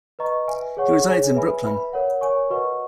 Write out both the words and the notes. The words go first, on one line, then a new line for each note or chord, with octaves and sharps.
He resides in Brooklyn.
B4 D#5 A#5 C#6
B4 E5 G#5
G#4 C#5 F#5 C#6
G#4 C#5 G#5
B4 E5 G#5 B5
B4 E5 B5
A#4 C#5 F#5
A#4 C#5 G#5 C#6
F#4 B4 D#5 F#5 C#6